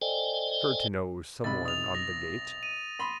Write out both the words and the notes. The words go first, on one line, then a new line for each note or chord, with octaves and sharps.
Sure to know someone on the gate.
A4 C5 D5 D#5 G5 G#5
B1 C3 B5 A6
D#6 F7
A#6
D#7
B5 C6